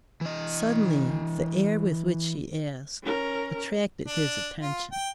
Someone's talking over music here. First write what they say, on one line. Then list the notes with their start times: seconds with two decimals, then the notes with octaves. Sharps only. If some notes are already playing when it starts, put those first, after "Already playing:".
Suddenly the air with which she asked attracted his attention.
0.21 E3 D#5
3.03 C#4 A#4
4.07 D4
4.62 F4
4.92 G5